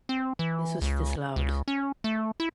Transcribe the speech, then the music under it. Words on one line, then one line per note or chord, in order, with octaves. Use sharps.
This was disallowed.
C4
E3
C#2
C#2
C#4
A3
E4